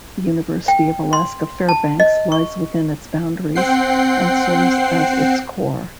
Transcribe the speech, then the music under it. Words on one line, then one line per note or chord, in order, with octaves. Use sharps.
The University of Alaska Fairbanks lies within its boundaries and serves as its core.
G5
C6
A5
D#5
C#6
C4 F#5 G5 C7